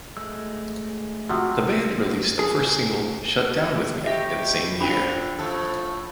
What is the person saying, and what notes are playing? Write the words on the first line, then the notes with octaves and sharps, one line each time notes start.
The band released the first single "Shut Down with Me" in the same year.
G#3 A3 E6
C3 F3 F#4
G#4
A2 G4 D#5 E5
D3 F3 C#4 D4 B5
A2 F3 A4